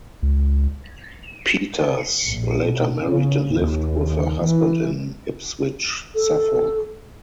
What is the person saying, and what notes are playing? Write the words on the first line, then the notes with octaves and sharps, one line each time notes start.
Peters later married and lived with her husband in Ipswich, Suffolk.
C#2
A#1
B2
C#3
D#2
E3
A4